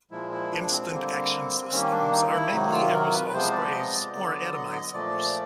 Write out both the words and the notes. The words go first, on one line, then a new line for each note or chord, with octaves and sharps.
Instant action systems are mainly aerosol sprays, or atomizers.
A#2 F3 G#3 E4
E4
D4
C4
D3 G3 A#3
D#3 G3 A#3 C#4
D4
D#4
F4
E4
C3 D#3 F#3 D#4
F4
A#4
B4
B4
C3 F3 G#3 B3 C5
D5
D#5
D5
D3 F#3 B3 D5
D#5
D#5
D#5
A#2 F3 A3 D5